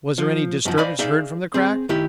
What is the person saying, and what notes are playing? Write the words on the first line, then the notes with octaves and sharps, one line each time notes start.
"Was there any disturbance heard from the crack?"
F3
F#2 F3
C5 D5 D#5 F5 G#5 B5
D#4 G#4 D5 E5 F5
C4 G#4
D#3 E4 G4